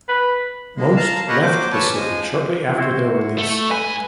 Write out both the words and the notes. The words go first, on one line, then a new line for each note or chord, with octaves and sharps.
Most left the city shortly after their release.
B4
A2 G#3 A#3
F5 A5 A#5
G4 A#4 B4 C#5 D#5 F#5
F#3 A#3 C5 D6
F#3 C#4 B4 C#5 D5 A5
F3 G#3 G#5
E4 F#4 C5
A3
G#2 B4 G#5